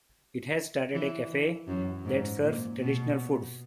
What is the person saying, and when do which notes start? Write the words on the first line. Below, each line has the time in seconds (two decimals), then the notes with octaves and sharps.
It has started a cafe that serves traditional foods.
0.94 E3
1.68 F#2
2.05 G#2
2.43 A#2
2.80 B2